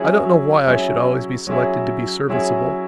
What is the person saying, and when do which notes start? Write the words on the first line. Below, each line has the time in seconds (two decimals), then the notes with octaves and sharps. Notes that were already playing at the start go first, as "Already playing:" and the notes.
I don't know why I should always be selected to be serviceable.
Already playing: F#3 C#4 E4 G#4
0.66 F#3 C#4 E4 G#4
1.47 F#3 C#4 E4 G#4
2.29 F#3 C#4 E4 G#4